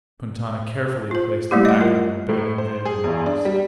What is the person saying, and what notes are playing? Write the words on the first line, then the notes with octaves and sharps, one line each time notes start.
Quintana carefully placed the packet on a bed of vivid moss.
F4 C5
G3 A3 A#3 E4 G4
D#5 F#5
F4 A#4
A2
C5
G#4
E2
D4
G3